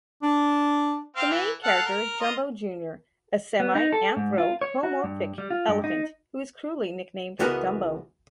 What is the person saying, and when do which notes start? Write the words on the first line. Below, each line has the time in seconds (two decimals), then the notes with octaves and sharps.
The main character is Jumbo Junior a semi-anthropomorphic elephant who is cruelly nicknamed "Dumbo".
0.22 D4
1.17 C4 F5 G5
1.30 E3
1.64 A4 F5 F#5
1.86 A#4
2.20 F4 D#5
3.60 B3
3.75 D#4
3.93 A4
4.17 G#2
4.38 F4
4.61 C#5
4.83 F#4
5.04 G2
5.38 G3
5.50 F4
5.69 G2
5.84 D#4
7.39 C#2 E3 B3 F#4 A#4 D#5